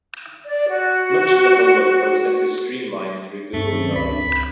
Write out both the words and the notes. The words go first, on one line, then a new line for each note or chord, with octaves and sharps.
Much of the homework process is streamlined through Google Drive.
D5
F#4
G2 A3 C4 A4 C#6
D#3 F#3 C#4
C#2 B4 B5
D4
C#2 B6